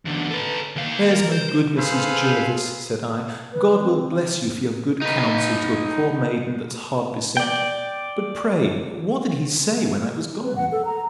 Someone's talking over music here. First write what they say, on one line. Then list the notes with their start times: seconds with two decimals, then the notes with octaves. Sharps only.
There's my good Mrs. Jervis! said I; God will bless you for your good counsel to a poor maiden, that is hard beset. But pray what did he say, when I was gone?
0.05 E2 D3
0.31 A4 B4
0.76 D#2 F5
1.12 A#4
1.32 C5
1.78 G#4 A4 B4 C5 F5
3.52 B4
3.83 C4
5.02 D#4 B4
7.37 D5 G5
10.44 B4
10.56 F#5
10.72 A4
10.85 A#5